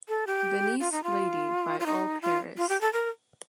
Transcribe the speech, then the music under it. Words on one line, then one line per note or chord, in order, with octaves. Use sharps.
Venise Lady by All-Paris.
A4
G4
F4
D#4
F4
F4
D#4
F4
F4
G4
A4
A#4